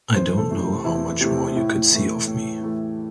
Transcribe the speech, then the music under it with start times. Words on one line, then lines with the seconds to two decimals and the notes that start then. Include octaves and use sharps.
I don't know how much more you could see of me.
0.14 E2 C5
0.38 A4
0.50 C3 E3 A3
0.62 G4
0.84 E2 E4
1.20 C3 E3 A3 G4
1.55 A2 E4
1.91 E3 A3
2.26 A2
2.61 E3 A3